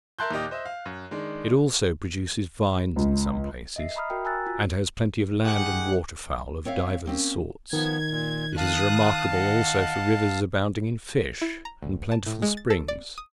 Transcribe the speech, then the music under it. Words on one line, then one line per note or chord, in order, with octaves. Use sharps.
It also produces vines in some places, and has plenty of land and water fowl of divers sorts; it is remarkable also for rivers abounding in fish, and plentiful springs.
A#4 E5 A5 C6 F#6 G6
D#2 A#2 G4 D#5
C5 D#5 E5
F5
F#2
D#3 G#3 D4
C#2
D#5 E5 C7
E5 A#5 B5 D#6 F6
F#4 A#4 G5
G#5 A#5 E6 F#6 A6
F4 F#4
D#3 G4 G#4 F#5
C4 C#5 E5 F5
A#3 C4 C#4
D#3 F3 B3 G#6
A#2
F5 A5 D#6 F#6
D#5 F#5
E4
A#5
D2
A5
A2
G#3
A6
A4
D5
D#6